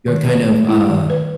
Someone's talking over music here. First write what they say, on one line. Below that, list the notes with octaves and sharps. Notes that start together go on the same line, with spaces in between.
you're kind of, uh,
D#3
B4
A3
E4
D#3
B4